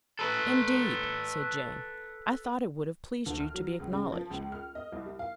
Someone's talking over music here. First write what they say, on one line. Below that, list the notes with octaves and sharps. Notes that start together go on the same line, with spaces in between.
"Indeed!" said Jane, "I thought it would have pleased you to be acknowledged."
A4 B4
D2
F6
F#3
C#2
C#3
F3
C#2
F6
D#5
C2
G3
F5